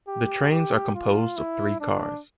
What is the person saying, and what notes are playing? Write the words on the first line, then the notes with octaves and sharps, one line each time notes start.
The trains are composed of three cars.
G4
G4
F4
E4
D4